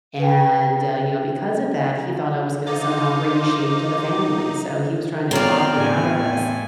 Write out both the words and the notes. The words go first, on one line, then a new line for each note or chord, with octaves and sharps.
and, uh, you know, because of that, he thought I was gonna somehow bring shame to the family, so he was trying to talk me out of this,
B4 G5
D#4 F4 C5 D6
E2 C4 C#5 D5 F5 A#5
A2 D5 G#5